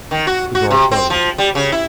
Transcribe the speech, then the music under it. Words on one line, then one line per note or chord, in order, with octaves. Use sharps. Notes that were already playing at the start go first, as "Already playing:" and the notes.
The door closed.
D#3
F#4
F#4
C3
C4
F3
G3
C#3
E4